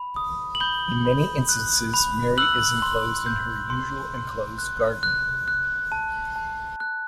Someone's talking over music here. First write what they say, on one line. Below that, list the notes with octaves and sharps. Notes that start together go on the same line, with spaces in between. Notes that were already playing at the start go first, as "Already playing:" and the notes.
In many instances Mary is enclosed in her usual enclosed garden.
Already playing: B5
D#6
F#7
B5 G6 G7
B5
F#6
B5
E6 F#6 F#7
C6
G6
C6
C6
F#6
F#6
F#6
A5
A5
F#6